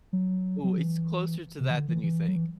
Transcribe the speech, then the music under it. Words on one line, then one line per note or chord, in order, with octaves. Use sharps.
Ooh, it's closer to that than you think.
F#3
F#3
E3
C3
E3
D3
E3
E3
F#3
E3